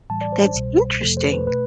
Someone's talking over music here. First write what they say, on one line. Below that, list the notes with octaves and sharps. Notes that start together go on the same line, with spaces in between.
That's interesting.
A2 E3 G3 A5
D5
C5
C2 B2 G3
F2 C3 F3 A3 A4
C5
B4
B2 A3 B4